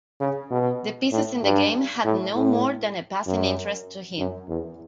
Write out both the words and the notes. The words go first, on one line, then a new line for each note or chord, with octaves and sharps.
The pieces in the game had no more than a passing interest to him.
C#3
B2
A2
G2
A2
A2
F#2
F#2
E2